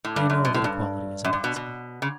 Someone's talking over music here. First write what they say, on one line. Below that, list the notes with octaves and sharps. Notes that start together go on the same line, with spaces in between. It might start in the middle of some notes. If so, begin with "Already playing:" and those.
They know that equality is impossible.
A2
G2
F#2
B2
A2
G2
F#2
G2
B2
B2
C#3